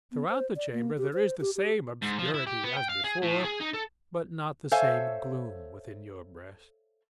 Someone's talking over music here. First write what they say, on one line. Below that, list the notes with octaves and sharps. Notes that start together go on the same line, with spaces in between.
Throughout the chamber there is the same obscurity as before, but not the same gloom within your breast.
B3
C5
D5
A#3
G4
C5
G4
G4
G#2
F3
E4
G4
B3
G5
F5
G#4
A2
G#4
D#4
A4
A4 C5 C#5 E5 F5 G#5